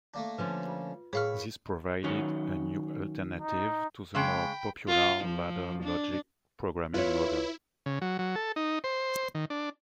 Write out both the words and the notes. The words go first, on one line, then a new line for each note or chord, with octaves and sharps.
This provided a new alternative to the more popular ladder logic programming model.
A3 A#3 D4
D3 F3 C#4 B4
F4
A2 G#4 A#4 B4 C#5 F5 C#6 F6
D#3 F#3 C#4
D#4
C#3 G#3 G5 B5
F4
F3
D4
E4 F4 B4 C#5
C#3
F#3
F#3
A4
D#4
C5
D#3
D4